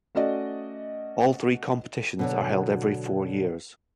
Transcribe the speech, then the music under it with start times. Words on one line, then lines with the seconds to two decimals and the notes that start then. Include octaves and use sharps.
All three competitions are held every four years.
0.15 A3 C#4 F#4 D5 D#5
2.19 B2 D3 F#3